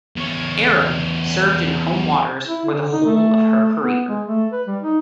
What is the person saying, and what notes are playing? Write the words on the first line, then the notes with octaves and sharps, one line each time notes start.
"Arab" served in home waters for the whole of her career.
E2 C#5
E4
D3
D#4
A3
B3
G#3
A3
B4
G3
D#4